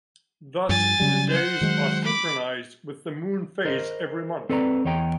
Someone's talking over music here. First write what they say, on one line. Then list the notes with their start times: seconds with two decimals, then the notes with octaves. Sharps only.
Thus the days are synchronized with the moon phase every month.
0.69 G2 F3 G#5 A6
1.00 C#3 F#3 G3
1.30 C5 F#5
1.61 D#3 F#3 G#3
2.04 B5 D6
3.65 A#4 C5 D#5
4.49 C4 A4 B4 D5 A5 A#5
4.85 E2 C#5 D#5 G5 A#5